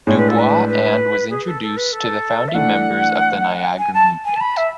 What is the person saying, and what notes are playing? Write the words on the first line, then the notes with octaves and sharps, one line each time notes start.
Du Bois and was introduced to the founding members of the Niagara Movement.
A2 G#3 D4 C#5
B4
A4
B4
B4
G#4
A4
A4
B4
A4
E5
E3 A3 D4 F#5
G#5
A5
G#5
A5
B5
E5